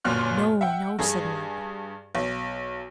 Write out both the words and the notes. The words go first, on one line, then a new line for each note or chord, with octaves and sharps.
"No, no," said Margaret.
G1 F#2 A#2 F6 F#6
E5 F#5 G5
G2 G#4
B1